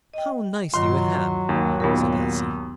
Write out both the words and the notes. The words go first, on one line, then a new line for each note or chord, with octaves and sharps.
"How nicely you hem!" said Elsie.
D#5 G5
G2 D#3 F#3 F4 C6
D#2
D#2 A#2 B3 G4 A#4